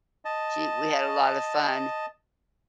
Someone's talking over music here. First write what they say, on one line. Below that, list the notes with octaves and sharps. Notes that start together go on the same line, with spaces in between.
She we had a lotta fun.
D#5 A5